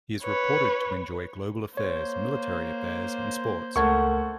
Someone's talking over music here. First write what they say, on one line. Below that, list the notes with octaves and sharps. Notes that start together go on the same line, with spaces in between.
He is reported to enjoy global Affairs, military affairs and sports.
B4 C#5
A#3 C5 C#5
C#2 A3 A#4 F#5 C#6 G#6